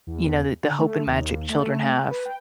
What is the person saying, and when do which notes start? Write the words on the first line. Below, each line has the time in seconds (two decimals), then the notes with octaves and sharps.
you know, the the hope and magic children have?
0.07 E2
0.63 D3
0.78 A3
1.06 D#2
1.49 A3
2.11 B4
2.25 G5